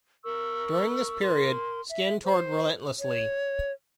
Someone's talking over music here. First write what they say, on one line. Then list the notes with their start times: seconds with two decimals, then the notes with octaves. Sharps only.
During this period, Skin toured relentlessly.
0.23 A#4 C#6 E6
1.22 A#4 C6
1.89 E5
2.24 C5
2.99 C#5